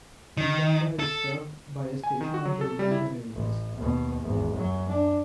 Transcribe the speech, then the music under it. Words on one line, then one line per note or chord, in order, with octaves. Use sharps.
Iganga is served by a station on the Uganda Railways.
D#3
A4
G#5
D#3
F#4
F#3
A4
G3
E4
A1
D#2 B2
G#1 E2
F#2 F#3
D4